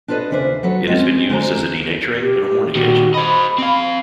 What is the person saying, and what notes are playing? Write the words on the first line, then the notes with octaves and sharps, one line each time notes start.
It has been used as a denaturing and warning agent.
D4 F4 A4 B4 D#5
D#2 C#3 D4 C5 E5
F#3 A4 B4 C#5
G#3 C4 C#4
D3 G#3 C5 A#5
G4
A#2 D#3 F#4
C5 D#5 B5
C4 F5